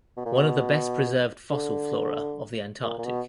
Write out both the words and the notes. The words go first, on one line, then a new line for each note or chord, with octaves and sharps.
One of the best preserved fossil flora of the Antarctic.
B2
A#2
B2
D3
A#2
A#2
B2